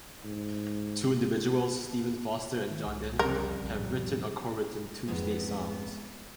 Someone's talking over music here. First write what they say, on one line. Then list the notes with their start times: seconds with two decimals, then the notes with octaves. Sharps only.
Two individuals, Stephen Foster, and John Denver, have written or co-written two state songs.
0.24 G#2
2.70 D#3
2.86 C2
3.19 F2 C#3 G3 A#4
3.63 B1
3.79 A2
5.07 F2 G#2 G#3 B3